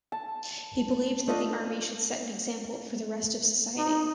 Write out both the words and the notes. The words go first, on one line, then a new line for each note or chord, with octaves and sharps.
He believed that the army should set an example for the rest of society.
A5
A3 D4 F4 D#5
D#4